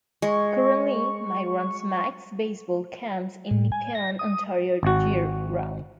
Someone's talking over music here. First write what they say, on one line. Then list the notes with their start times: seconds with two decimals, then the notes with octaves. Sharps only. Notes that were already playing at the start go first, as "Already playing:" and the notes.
Currently, Mike runs "Mike's Baseball Camps" in Nepean, Ontario year round.
0.22 G#3 C#6
3.51 A2
3.72 G#5
3.95 A#6
4.19 D#6
4.83 G#1 F#4